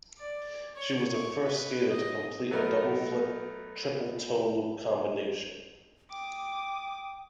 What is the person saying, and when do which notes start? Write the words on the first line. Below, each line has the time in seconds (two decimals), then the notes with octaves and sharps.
She was the first skater to complete a double flip, triple toe loop combination.
0.19 D5
0.76 C#5
1.12 C#6
1.42 B4
1.91 D#5
2.51 F#3 A3 B3 D#4 A#4
6.11 G5 D6 D#6